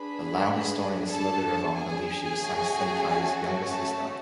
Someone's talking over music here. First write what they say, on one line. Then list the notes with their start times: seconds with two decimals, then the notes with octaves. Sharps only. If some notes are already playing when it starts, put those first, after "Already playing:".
The Lao historian Sila Viravong believed she was Samesenthai's younger sister.
Already playing: D4 G#4 B4 B5
1.09 A4 A5
1.74 G#4 G#5
2.39 A3 C#4 F#4 A4
3.68 A4 A5